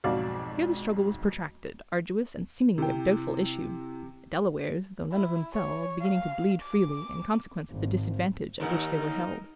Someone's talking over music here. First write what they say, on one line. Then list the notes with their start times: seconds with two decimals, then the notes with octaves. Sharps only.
Here the struggle was protracted, arduous and seemingly of doubtful issue; the Delawares, though none of them fell, beginning to bleed freely, in consequence of the disadvantage at which they were held.
0.04 B1 F2 G#2 F#4 D5 F5
2.78 C3 E4 G5
5.12 E4
5.53 C#5
6.01 F5
6.62 D6
7.69 G#1
8.60 D#2 D#4 A#4